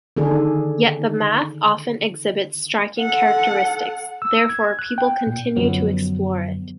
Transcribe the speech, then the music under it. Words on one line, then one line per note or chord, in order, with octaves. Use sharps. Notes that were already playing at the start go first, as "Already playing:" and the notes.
Yet the math often exhibits striking characteristics, therefore people continue to explore it.
D3 D#3 D4 G#4 A4
A4 F#5
E6
G#6
F#6
G5
A#2
F#2 D3 F3 F#3 B3